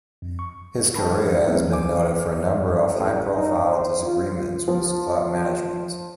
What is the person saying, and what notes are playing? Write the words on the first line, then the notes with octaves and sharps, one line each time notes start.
His career has been noted for a number of high-profile disagreements with club management.
F2
C#6
C5 G5 A5 B5
E3
F#3 A3 C4 D#4 E4 B4
D2 F3 C5 G#5 D6
A1
D#4
C5
F4
F3